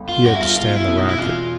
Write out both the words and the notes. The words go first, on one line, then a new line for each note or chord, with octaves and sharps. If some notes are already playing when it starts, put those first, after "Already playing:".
He had to stand the racket.
Already playing: G1 C#2
F4
G2 F#4
E4
F4
B1 F4
E4
B2
D#4
E4
E2 F4